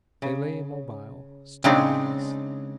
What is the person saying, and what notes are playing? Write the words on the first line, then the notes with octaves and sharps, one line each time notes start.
They lay immobile--staring at us.
C#3
C#3 G#3 C4 D4 D#4